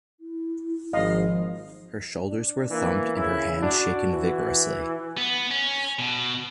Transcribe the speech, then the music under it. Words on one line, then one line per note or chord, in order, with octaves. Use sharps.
Her shoulders were thumped and her hands shaken vigorously.
E4
G#1 F3 D#5 F5
D4
E3 A#3
C#3 E4
D4 F#4
E3
B3
C#4
B2